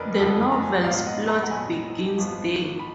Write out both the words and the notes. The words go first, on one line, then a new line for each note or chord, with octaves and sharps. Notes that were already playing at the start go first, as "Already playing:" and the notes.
The novel's plot begins there.
Already playing: F#1 F2 D3 A#4 B4 D5 D#5
F#1 F2 D3
B5
A#5
G#5
F#5
A#1 G#2 F#3 B3 D5 F5
D#5 F#5
A#5
B5
F#5 A#5
A#1 G#2 F#3 B3 G#5 B5
G#1 F#2 F3 B3
B5